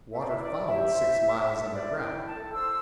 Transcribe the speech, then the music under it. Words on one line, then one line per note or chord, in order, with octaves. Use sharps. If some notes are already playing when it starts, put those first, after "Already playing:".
Water found six miles under ground.
C5 E5
D5
E5
E4
D5
E4
E5
G4
C5
E4
E4
A4
C5 D5
E4
G5
E4
A5
A4
C5 E6